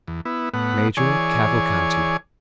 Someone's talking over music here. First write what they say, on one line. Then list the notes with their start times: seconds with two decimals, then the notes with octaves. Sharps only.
"Major Cavalcanti."
0.08 E2
0.25 B3 E4
0.54 A2 B3 F#5
0.97 E3 G#4 C#5 D5 G#5